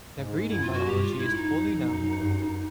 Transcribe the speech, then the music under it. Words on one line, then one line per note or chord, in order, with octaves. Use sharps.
Their breeding biology is poorly known.
G#2
F#2 E4
F4
F#4
G2 G4
F4
G#2
E4
F#2
D#4
F2
F2
F#2
F#2
G2
F#2